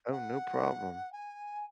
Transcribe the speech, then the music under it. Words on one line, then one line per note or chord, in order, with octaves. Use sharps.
Oh, no problem.
F#5
G#5